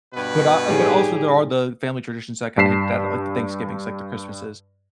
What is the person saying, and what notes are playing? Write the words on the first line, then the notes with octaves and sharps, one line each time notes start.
But, uh but, also, there are the family traditions that kinda hit that like the Thanksgivings, like the Christmases
G2 B2 B4
A2 D#3 G3 G4 G#4
G2 A5 B6 C7 E7